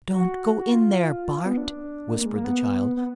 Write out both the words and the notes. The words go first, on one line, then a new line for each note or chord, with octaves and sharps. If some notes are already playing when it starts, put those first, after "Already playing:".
"Don't go in there, Bart!" whispered the child.
F#4
F#4
F4
B3
D4
A#3
G#3
A#3
B3
B3